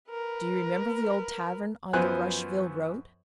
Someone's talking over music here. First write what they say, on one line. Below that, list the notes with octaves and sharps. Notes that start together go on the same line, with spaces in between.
Do you remember the old tavern on the Rushville road?
A#4 B4
F#2 F3 B3 C5 G#5 F#6